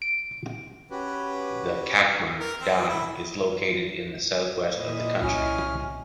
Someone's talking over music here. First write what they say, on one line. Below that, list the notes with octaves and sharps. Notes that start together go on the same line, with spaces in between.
The Çakmak dam is located in the southwest of the county.
D7
C#4 F#4 G4 B4
A#4
C4
E4
A#2 E4 D#5
C2 C#4 F6